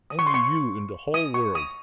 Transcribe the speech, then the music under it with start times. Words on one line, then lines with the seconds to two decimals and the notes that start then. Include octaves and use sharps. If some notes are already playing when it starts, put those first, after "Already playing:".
Only you in the whole world.
0.10 D#6
0.19 C#6
0.27 C6
0.34 C#6
1.14 D#6
1.34 C#6
1.55 D#6